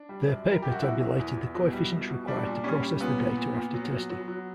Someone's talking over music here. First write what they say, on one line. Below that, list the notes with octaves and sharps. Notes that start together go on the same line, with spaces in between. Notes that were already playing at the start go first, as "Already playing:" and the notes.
Their paper tabulated the coefficients required to process the data after testing.
Already playing: D4
G3
F#2
G3 A#4
F#2 G4
F#4
B2 E4
E2
E2
E2
B2
G3
B2
B2
G3 D4
A#2
G3 C#4
G3
A#2 B3
A#2
A#2
A#2
F#3
F#3
F#3
F#3